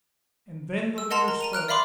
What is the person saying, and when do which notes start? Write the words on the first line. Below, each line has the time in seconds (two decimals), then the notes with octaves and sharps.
And then the leader spoke.
0.98 E6
1.10 A#4 D#5 F#5 A5 C6 F7
1.28 A#4 A#5
1.41 A#5 D#7 F7
1.53 F6 F#6 D7 F7
1.68 D5 E5 F5 B5 C6 D6